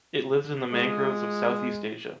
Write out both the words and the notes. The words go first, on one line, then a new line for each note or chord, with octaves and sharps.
It lives in the mangroves of Southeast Asia.
G#3 F4 D#6